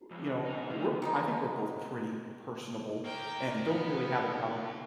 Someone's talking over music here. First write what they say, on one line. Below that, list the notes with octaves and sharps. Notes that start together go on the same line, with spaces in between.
we you know, we're I think we're both pretty personable and don't really have a problem,
C#2 F3 G#3
D5
G#2 D#4
D#3 F3 A3 D#4 E4
D#3 G3 D#4
D#3 A#3 A#4 G5
B3